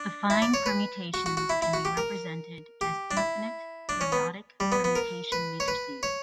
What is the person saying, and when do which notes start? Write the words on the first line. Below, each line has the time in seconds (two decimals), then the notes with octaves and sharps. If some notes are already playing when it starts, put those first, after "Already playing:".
Affine permutations can be represented as infinite periodic permutation matrices.
Already playing: D4
0.30 E4
0.42 D5
0.54 C#5
0.66 B4
1.14 F#4
1.26 F#4
1.37 F#4
1.50 E4
1.62 E4
1.73 F#4
1.85 G4
1.97 A#4
2.81 G4
3.11 D4
3.17 E4
3.89 D4
4.01 C#4
4.12 B3
4.60 G3
4.72 B3
4.84 B3
4.96 A#4
5.32 B4
5.60 C#5
5.68 B4
6.03 C#5